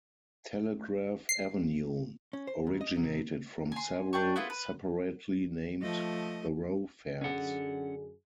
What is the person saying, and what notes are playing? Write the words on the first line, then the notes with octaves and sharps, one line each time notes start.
Telegraph Avenue originated from several separately named thoroughfares.
C7
C#4
C5
D#2
D#5
C2
G#5 C6
D4 G5 C#6
B3 E4 F4 B4
B4
F3 A3 D#5
F#2 D3 C#4 G#4 F#5